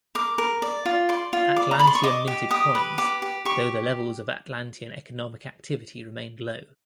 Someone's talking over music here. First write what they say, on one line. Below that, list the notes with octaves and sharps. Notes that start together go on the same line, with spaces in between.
Atlantium minted coins, though the levels of Atlantian economic activity remained low.
A#4 D6
A#4
D5
F4
D5 C6
F4
D5 D6
A#5
D5 B5
C6
C#6
D#5 D6
G4
G4 D#6
B4
G4 D6
G4
G4 C#6